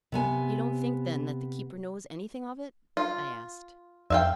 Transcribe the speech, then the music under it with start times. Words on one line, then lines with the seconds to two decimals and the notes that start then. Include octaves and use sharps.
"You don't think, then, that the keeper knows anything of it?" I asked.
0.12 C3 B3 G#5
2.97 F4
4.10 F2 E5 F5 G5